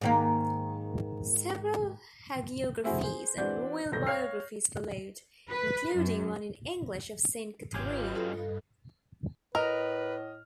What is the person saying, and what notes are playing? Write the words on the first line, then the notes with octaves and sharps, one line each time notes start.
Several hagiographies and royal biographies followed, including one in English of Saint Katharine.
G#2 D#3 A#3
A3 C4 E4 F#4 G#4
G#4 C5
E3 C4 D4 F#4 D5 G6
E1 B1 G2 A4 G6 A#6
C#5 F5 F6 C7
B4
F#2
G#1 C#4 F4 G4 G#4 B4 D#5 G#5
G2 F4 A4
A2 A#4 B4 D#5 F6